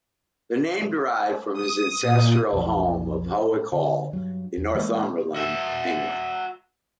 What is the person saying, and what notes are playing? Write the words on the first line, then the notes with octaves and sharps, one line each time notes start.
The name derived from his ancestral home of Howick Hall in Northumberland, England.
D#6
A#2
B1 F2 E3 F3
D3
G2 F#3
E2
E3 G#3 A#3
F#4 E5